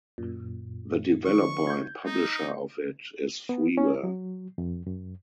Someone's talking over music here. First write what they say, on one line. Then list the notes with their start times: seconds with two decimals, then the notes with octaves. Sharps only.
The developer and publisher of it is freeware.
0.18 F#2 A#2
1.25 D3 F3 C#6
1.67 G6 G#6
2.05 D#4
3.49 B3
3.78 C#4
4.03 F#3
4.58 F2
4.87 F#2